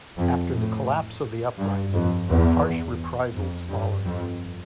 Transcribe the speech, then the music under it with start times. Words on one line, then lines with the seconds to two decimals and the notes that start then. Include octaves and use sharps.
After the collapse of the uprising, harsh reprisals followed.
0.17 F2
0.53 A2
1.58 G2
1.93 F2
2.28 E2
3.34 F2
3.69 G2
4.05 F2